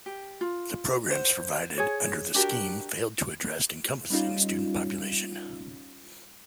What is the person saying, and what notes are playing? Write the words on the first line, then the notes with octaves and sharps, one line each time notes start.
The programs provided under the scheme failed to address encompassing student population.
G4
F4
C5 F#5
G#4 C#5
D4 F#4 G4 A#4
G3 C#4 D#4 F4